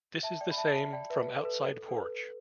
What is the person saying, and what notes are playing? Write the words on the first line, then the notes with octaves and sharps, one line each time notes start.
This is the same from outside porch.
E5 A5
D5 G5
B5
E5 A5
E5 A5
D5 G5
B4 E5
A4
B4
A4
A4
B4